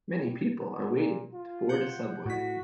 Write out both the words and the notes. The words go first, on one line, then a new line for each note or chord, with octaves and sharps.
Many people are waiting to board a subway.
G2
B3
A#2
F4
F#5 G6
A2 F#4 B6